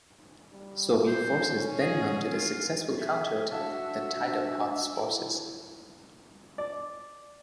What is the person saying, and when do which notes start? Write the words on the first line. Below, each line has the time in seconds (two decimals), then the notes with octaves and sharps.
Soviet forces then mounted a successful counterattack that tied up Hoth's forces.
0.52 G3
1.07 C5
1.50 C#4
1.81 G#4
2.32 F4
2.99 G#4 E5
3.52 D4 F#4 E6
4.96 E4
6.58 D5